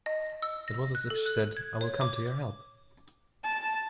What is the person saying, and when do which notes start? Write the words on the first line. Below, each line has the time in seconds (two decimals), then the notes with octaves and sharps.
It was as if she said, "I will come to your help."
0.06 D#5
0.42 E6
0.68 A#6
0.95 F#6
1.10 A4
1.26 F#6
1.57 G#6
1.81 C#5
2.01 D6
3.44 A5